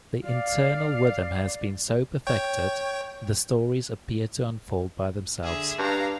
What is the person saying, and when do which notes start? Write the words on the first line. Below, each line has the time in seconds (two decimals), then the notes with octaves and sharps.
The internal rhythm has been so perfected, the stories appear to unfold by themselves.
0.25 D5 F5
2.27 C#5 G5
5.43 D3 G#4 E5
5.79 G2 D4 F5 A#5